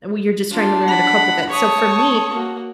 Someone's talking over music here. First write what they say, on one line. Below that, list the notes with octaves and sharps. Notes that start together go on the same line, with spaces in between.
and when you're just trying to learn how to cope with it, so for me,
D4 F4
F#5 B5
C#5 A5 C#6 D#6
A#3 F#4